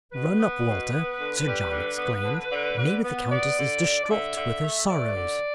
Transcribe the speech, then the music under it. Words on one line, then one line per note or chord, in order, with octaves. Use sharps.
"Run up, Walter," Sir John exclaimed, "maybe the countess is distraught with her sorrows."
B2 B4
B3
B2
B3
D3
G3
D3
B3
D3
D3
D3
B3
B3 D5
D3
D3
D5
D3 E5
D3
A3
A3 D5
D3